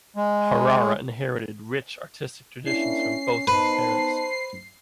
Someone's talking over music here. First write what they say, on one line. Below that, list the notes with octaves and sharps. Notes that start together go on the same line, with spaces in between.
Herrera inherited rich artistic traditions from both of his parents.
G#3
A#3 C#4 D4 E4 C7
B3 D#4 B4 C5 A5